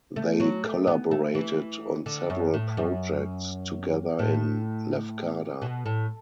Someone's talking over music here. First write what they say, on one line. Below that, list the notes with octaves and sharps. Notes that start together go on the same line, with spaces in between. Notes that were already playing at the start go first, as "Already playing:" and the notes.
They collaborated on several projects together in Lefkada.
A3
F#3
A3
B3
A3
E3
D3
F#2
A2
F#2
A2
B2
A2